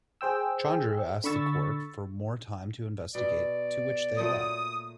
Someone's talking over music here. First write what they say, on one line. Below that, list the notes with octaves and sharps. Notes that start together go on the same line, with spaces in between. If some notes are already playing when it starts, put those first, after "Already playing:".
Chandru asks the court for more time to investigate to which they allow.
G#4 C5 G5 E6
D3 B5 C#6 E6 A6
B2 D5
A#2 F#3 A3 D#6